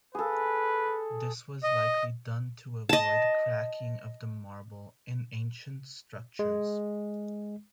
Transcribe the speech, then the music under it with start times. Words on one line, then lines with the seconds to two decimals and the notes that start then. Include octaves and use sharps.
This was likely done to avoid cracking of the marble in ancient structures.
0.15 G#4 A4 B4
1.63 D#5
2.89 D#5 A5
6.39 G#3